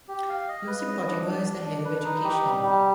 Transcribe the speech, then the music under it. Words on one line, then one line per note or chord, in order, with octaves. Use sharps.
Lucy Pottinger is the head of education.
G4
F5
D#5
B4
D#5
D4
D4
D4
D4
B4
D#4
G4
G3
G4